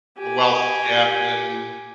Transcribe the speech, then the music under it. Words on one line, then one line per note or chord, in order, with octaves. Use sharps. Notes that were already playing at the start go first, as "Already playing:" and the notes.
a wealth gap in
G4 G#5